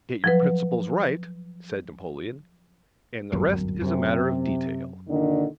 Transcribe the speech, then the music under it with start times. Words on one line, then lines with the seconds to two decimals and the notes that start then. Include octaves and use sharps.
"Get your principles right," said Napoleon, "and the rest is a matter of detail."
0.24 F3 F#3 B4
3.32 D1 G1 F#2
3.81 F#2 C3
5.08 A#2 D3 D#3